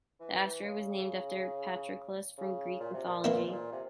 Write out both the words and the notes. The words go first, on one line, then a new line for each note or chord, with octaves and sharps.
The asteroid was named after Patroclus from Greek mythology.
E3
C#3
C#3
A#2
C3
A#2
A#2 E3 A#3 E4
G#2
A#2
C3